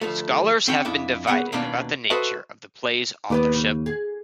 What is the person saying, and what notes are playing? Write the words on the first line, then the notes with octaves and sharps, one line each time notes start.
Scholars have been divided about the nature of the play's authorship.
D2 F3 A3
C4 C#4 G5
F2 D4 E4
C2 C#3 B3 F#5
D#2 B2 D#3 A#3 C#4 D4
F#4 A4 B4 C5 D#5 E5
D#2 B3 B4 D5
C#3
G#4